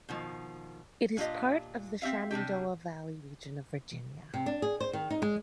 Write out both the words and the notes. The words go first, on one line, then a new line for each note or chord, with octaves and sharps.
It is part of the Shenandoah Valley region of Virginia.
B2 D#3 F3
A#2 D4 F4 G4 D#5
C4 G4 E5 F5
C3 G3 D4 G4
C3
D4
G#4
C5
D#3
D#4
G#3